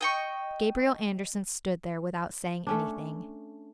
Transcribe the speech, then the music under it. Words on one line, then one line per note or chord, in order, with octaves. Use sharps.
Gabriel Andersen stood there without saying anything.
D#5 G5 C#6
A3 C#4 D4